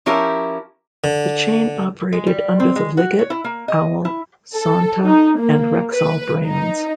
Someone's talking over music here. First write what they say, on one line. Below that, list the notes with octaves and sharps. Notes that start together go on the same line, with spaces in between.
The chain operated under the Ligget, Owl, Sonta, and Rexall brands.
F3 C#4 E4 G4 A#4
D3
G#3
G3
C4
G#3
F#4
C#5
E4
A#3
D#5
E4
A4
D#4
A#3
B4
D#4